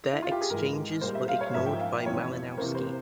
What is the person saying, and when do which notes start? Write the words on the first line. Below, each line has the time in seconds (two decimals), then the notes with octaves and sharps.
Their exchanges were ignored by Malinowski.
0.13 E4
0.22 F4
0.31 G4
0.41 G#4
0.50 G#2 E3 G#3 A#4
1.01 A#2 G3 A#3 C5
1.15 E5
1.28 F5
1.41 C#5
1.54 G#2 F3 A#3 E5
1.66 G5
1.80 F5
2.05 F2 C#3 E3 C#5
2.57 C3 E3 A#3 C5
2.75 C5